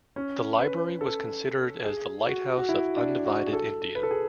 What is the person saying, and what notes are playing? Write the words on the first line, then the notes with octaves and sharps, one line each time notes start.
The library was considered as the Lighthouse of undivided India.
C#4
B4
A4
G#4
F#4
F#4
E4
D4
F#4
G#4
A4
B4
A4
G#4